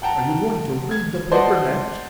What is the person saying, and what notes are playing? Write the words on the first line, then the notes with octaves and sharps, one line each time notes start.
"Are you going to read the paper next?"
F#5 G5 A5 A#5
G#6
C5 D5 D#5 F#5 A5